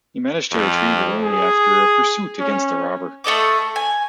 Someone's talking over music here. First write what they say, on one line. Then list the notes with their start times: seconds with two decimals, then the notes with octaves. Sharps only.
He managed to retrieve it only after a pursuit against the robber.
0.52 F2
1.23 G#4
2.39 C#4
3.24 A3 A4 D#5 D6
3.76 G#5